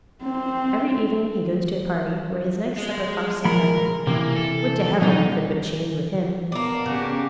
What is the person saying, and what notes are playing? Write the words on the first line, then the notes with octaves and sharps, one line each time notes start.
Every evening he goes to a party, where his nice supper costs him nothing: would to Heaven I could but change with him!
C4
G#3
F3 G#3 A#4 B5
C3 E3 A#3
A4
B2 F#3 G3 D#4
A#3 B3 D4
C#3 F#4 G4